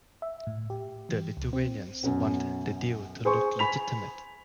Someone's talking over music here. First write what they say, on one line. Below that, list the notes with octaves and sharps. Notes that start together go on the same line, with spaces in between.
The Lithuanians wanted the deal to look legitimate.
E5
A2
G4
E3
C#2
C4
B1 F#2
G#4 C5 C6 C#6
G#5 B5 B6 F7